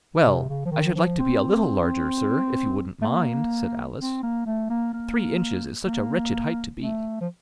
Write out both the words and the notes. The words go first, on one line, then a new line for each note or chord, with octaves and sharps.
'Well, I should like to be a LITTLE larger, sir, if you wouldn't mind,' said Alice: 'three inches is such a wretched height to be.'
C3
C#3
F3
D#3
F3
C4
A3
A#3
C4
A#3
A3
A#3
A#3
A#3
A3
F3